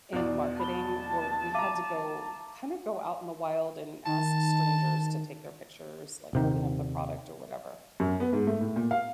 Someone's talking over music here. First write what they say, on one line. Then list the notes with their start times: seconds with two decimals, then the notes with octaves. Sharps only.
in marketing, where we had to go kinda go out in the wild and ask strangers to take their pictures, like, holding up the product or whatever.
0.13 E2 B2 D5
0.60 A5 B5 G7
1.54 E5 F5 A#5 D6 D#7
4.06 D#3 A5
6.33 D#1 C3 D#3
8.00 F#2
8.20 B3
8.33 G#2
8.47 A3
8.61 A2
8.76 A#2
8.91 F5